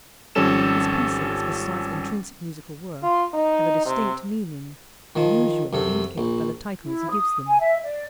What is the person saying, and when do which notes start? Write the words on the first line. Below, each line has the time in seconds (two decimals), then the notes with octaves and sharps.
His pieces, besides intrinsic musical worth, have a distinct meaning, usually indicated by the titles he gives them.
0.35 G#1 F3 G3 C#4 A4 E7
3.03 F4
3.33 D#4
3.85 C3
5.16 D#3 F3 A5
5.73 F#2 C3 A4
6.18 A#1
6.82 E4
7.10 D#6
7.46 G#5
7.59 E5
7.82 D5